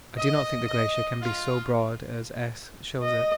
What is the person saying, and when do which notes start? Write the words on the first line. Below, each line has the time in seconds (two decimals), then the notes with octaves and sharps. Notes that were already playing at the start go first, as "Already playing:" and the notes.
I do not think the glacier can be so broad as S. shows it.
0.17 D#5
0.66 D#5
1.22 F4
3.03 D#5